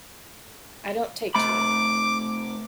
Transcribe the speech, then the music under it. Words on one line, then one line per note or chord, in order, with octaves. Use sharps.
I don't take to it.
C3 A3 B5 D6